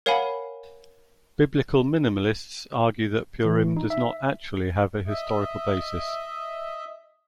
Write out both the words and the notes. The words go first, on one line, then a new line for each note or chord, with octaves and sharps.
Biblical minimalists argue that Purim does not actually have a historical basis.
A#4 C#5 F5 F#5 G#5 B5
E3
D#4
E5
D#5 E5